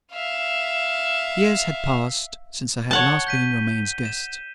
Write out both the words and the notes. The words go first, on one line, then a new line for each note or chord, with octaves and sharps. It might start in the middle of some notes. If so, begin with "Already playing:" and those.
Years had passed since I had last been Romayne's guest.
E5 F5
C#5 F#5 A5 G7
G6 B6 D#7
E7